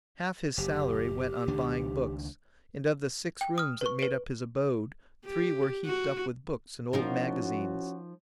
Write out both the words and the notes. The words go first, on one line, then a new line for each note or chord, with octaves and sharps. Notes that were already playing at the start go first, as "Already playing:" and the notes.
Half his salary went on buying books, and of the six rooms that made up his abode three were heaped up with books and old magazines.
F#1 G4
C#2 D#3 D4
G5
D#6 F6
B4 C#6
B4 D7
G4
F#4
F3 C#4 D#4 E4 F#4 A#4